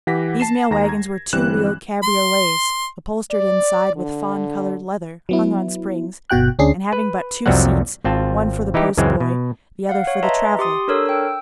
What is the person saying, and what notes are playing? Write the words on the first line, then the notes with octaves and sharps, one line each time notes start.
These mail-wagons were two-wheeled cabriolets, upholstered inside with fawn-colored leather, hung on springs, and having but two seats, one for the postboy, the other for the traveller.
E3 G4 F#5 A#6 B6
A5 C7 E7
D#2 A#5 A#6
G#6
G1 E3 G3 C4 F#6 E7
C6
D5
D3
F#3 B3 E4
G1 B2 F#4 G5 F#6
D2 C#4 D4 G#4 C7
B4
C2 F2 C3 F#3 G3 F#5
G#1 C4 F4 A5
E3 D#4 E4 G4
C#2 F#2 E3 G#3 C4
B2
F5 F#5
C#5
B4 D#5 E5 A5 A#5 C6
G4 C6 D#6
D4 A4 A#4 C#5 E6
G5 E6